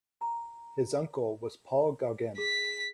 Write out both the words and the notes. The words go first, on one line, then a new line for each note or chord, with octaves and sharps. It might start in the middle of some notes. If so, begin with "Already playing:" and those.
His uncle was Paul Gauguin.
A#5
G#4 B6